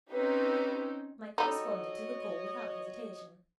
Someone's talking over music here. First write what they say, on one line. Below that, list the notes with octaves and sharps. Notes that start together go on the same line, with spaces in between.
Mike responded to the call without hesitation.
C4 C#4 D#4 G4 B4
G3 D#4 F#4 A4 C#5 D#5